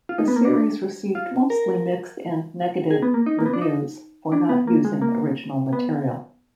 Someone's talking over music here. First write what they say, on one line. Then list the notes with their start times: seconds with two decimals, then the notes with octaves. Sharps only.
The series received mostly mixed and negative reviews for not using original material.
0.09 F4
0.18 D#4
0.28 B3
0.36 A#3
0.45 D4
1.15 F4
1.50 A#4
2.91 G#4
3.02 B3
3.14 A#3
3.26 D#4
3.39 A#3
3.46 B3
3.53 D4
3.62 D#4
4.32 D4
4.49 B3
4.67 A#3
4.85 G#3
5.02 A#3
5.73 B3